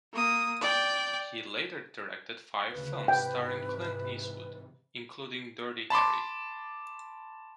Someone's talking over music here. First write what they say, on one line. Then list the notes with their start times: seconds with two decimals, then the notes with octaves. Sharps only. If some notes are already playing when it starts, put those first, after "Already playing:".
He later directed five films starring Clint Eastwood, including "Dirty Harry".
0.13 A#3 D#6
0.61 D5 G5
2.72 D2 C#3 B4
3.08 G#2 C3 E3 G5
5.90 A5 B5 C6 D6